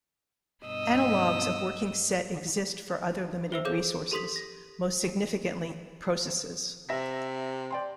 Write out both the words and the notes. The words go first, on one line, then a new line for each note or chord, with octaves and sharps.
Analogs of working set exist for other limited resources, most significantly processes.
G2 B2 D#5 E6
C5 E5 E6
G#4 A4 C#5 F5 D6 G6
G4 A4 C6 D#6 B6 F#7
A#6
C3 E5 A#6 B6
D5 G5 C6